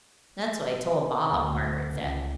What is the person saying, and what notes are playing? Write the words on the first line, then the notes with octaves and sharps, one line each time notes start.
"That's what I told Bob," Margaret said.
D2
C#2